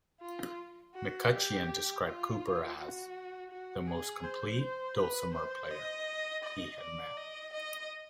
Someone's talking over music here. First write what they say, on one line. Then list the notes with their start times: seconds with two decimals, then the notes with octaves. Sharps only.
McCutcheon described Cooper as "the most complete dulcimer player" he had met.
0.21 F4
0.95 F#4
1.31 G4
2.05 F4
2.78 F#4
3.51 F#4
3.87 G#4
4.23 C5
4.61 C5
4.97 B4
5.34 C5
5.70 D#5
6.43 D#5
6.81 D5
7.17 D#5
7.53 D#5